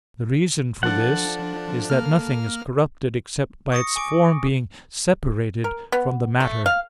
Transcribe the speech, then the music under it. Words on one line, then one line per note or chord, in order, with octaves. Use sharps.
The reason for this is, that nothing is corrupted except by its form being separated from the matter.
F3 D4 A4 F#5
A#3 F6
C#6 D#6 A#6 C#7
G#5 C#6 D6 D7
A#4
B3
A3
F5